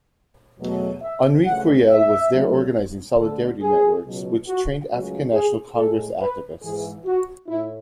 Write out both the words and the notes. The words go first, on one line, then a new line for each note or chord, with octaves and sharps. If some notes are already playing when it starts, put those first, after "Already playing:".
Henri Curiel was there organizing "solidarity networks," which trained African National Congress activists.
E2 B2 F#3 A3
E5
D2 C#3 E3 A3 F#5
E5
D2 D3 F#3 A3
D2 D3 A3 A4
G#4
C#2 B2 F#3
F#4
C#2 C#3 F#3 A3 F#4
G#4
A2 G#3 A4
B4
G#2 E3 G#3 G#4
F#4
A2 E4